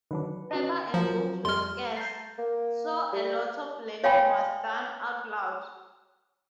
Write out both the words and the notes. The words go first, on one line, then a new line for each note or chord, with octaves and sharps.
Paper and books were scarce, so a lot of learning was done out loud.
D3 D#3 F#3 D4 B4
C#4 F#4 D#5
F3 F#3 F4 A#4
F2 G3 C6 F6
A5 A#5 G6 C7
A#3
G3
C#5 F5 G5 G#5 B5